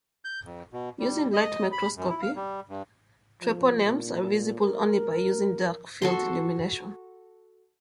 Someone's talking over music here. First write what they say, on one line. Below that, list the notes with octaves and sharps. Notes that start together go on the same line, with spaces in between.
Using light microscopy, treponemes are visible only by using dark field illumination.
G6
F2
B2
G3
D#5
B5
F#2
E4
F5
G3
G2
F3
A#2
A#4
F#4 A4 C6